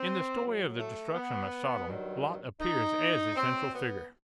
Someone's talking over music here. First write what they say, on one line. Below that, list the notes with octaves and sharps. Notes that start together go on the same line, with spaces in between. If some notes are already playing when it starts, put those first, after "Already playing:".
In the story of the destruction of Sodom Lot appears as the central figure.
Already playing: C4
A2 F#3
A3
B3
G2 D#3 F#3
D#4
B2 F#3 C4
B3